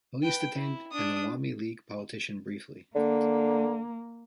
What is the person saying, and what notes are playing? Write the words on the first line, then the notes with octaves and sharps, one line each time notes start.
Police detained an Awami League politician briefly.
B4 G5
E4
D4 D#6
D3 A#3